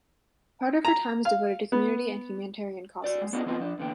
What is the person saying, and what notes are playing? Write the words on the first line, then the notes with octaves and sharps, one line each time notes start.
Part of her time is devoted to community and humanitarian causes.
A#5
F5
B3
F#4 D5
G#3
B3 C#4 D4 F4 G#4 D#5
E3 B3 C4 F4 D#5
F3 D4
E2 D3 A#3 G5